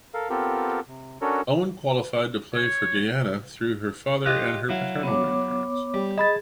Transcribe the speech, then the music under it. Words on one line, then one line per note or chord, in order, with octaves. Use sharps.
Owen qualified to play for Guyana through her father and her paternal grandparents.
A4 A#4 F5
B3 C4 F4 G4 A4 A#4
C3
C#4 D4 F#4 A4 A#4 C#5
C#5
F4 G4 D#5 F#6
F#3 E4 F5
B3 C#5 D6
G3
G#4 D#5 A5 B5 A6